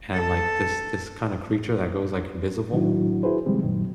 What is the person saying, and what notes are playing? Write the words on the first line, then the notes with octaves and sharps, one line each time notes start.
and, like, this this kinda creature that goes, like, invisible,
A4
A2 D#3 F#3 D4 E4 F#4
E4 F#4 G#4 B4 C5
C3 D#3 F3 G3 G#3 C4
F#2 A#2 D#3 F#3